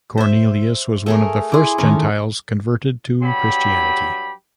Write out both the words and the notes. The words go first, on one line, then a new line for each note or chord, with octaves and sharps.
Cornelius was one of the first Gentiles converted to Christianity.
C5 E5
A3 G#4 A#4
E4 G#4 C6 D6
D#3 A3 C#4 A#4
G2 F#3 G4 B5